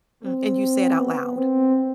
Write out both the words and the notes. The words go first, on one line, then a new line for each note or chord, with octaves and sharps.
M and you say it out loud.
C4
B3
C4